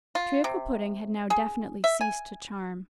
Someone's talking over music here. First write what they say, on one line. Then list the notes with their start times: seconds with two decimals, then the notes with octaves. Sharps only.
Treacle-pudding had now definitely ceased to charm.
0.15 F4
0.44 C3
1.30 G#4
1.84 E5
2.01 G#5